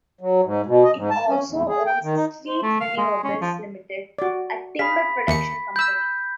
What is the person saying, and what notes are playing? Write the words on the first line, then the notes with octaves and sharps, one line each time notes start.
It also owns Sleat Renewables Limited, a timber production company.
F#3
G#2
B2
D#5
G#2
A5
C#4
E2
G#4
G5
D#3
D#4
C5
A3
F5
G#3
C#4
F3
F#4 D5
G#4 F5 B5 B6
D#2 C#7
B5 E6 G6